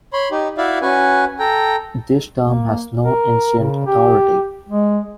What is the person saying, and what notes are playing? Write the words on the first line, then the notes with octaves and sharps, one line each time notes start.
This term has no ancient authority.
C#5 B5 C6
D#4 G4
E4 F#4 D5 E5 F5
C#4 F#4 B4 G#5
A4 G5 A#5
A#3
A#4
C#3
G4
G#3